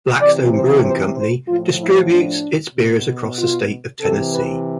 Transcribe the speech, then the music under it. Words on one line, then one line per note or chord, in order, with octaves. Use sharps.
Blackstone Brewing Company distributes its beers across the state of Tennessee.
C3 E3 D5
C5
C5
C5
A2 F3 F4
E4
D4
B2
F4
C3 E3 A4
B4